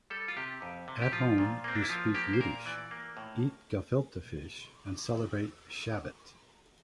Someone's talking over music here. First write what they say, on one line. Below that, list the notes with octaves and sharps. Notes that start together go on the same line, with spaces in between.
At home, you speak Yiddish, eat gefilte fish, and celebrate Shabbat.
G3 A4
F4
C3 G4
F2
C3
G4
F3 F4
A#2
A#3 C4
D4
E4
F3 F4
A#3 G4
C5
A#2 A#4
E3 D5
A#3
A2